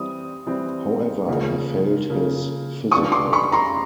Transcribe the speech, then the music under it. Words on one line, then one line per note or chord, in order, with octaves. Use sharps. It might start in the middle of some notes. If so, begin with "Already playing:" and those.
However, he failed his physical.
Already playing: E3 G3 C4 D#6
E3 G3 C4
C#3 F3 A#3
C#3 F3 A#3
G3 B3 D4 F4 C#6 D#6
C6 D6
B5 C#6
A#5 C6